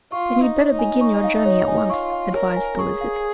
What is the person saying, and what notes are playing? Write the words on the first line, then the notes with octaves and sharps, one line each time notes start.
"Then you'd better begin your journey at once," advised the Wizard.
F4 C#6
F5
D#4
C#5
D#4
G#5
C#6
F5
C#5
G#5
F4 C#6
F5
A#4 C#5
G#5
G#4 C#6
F5